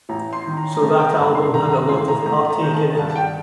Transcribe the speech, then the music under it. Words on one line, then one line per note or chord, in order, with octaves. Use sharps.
So that album had a lot of heartache in it.
A1 A#5
C6
D#3
A#5
A#5
A3 A5
G5
A#5
G2 A5
C6
D#3 A#5
A#5
A1 C6
A#5
A3 A#5
A#5
D#3
A5
G2 A5
A5
G5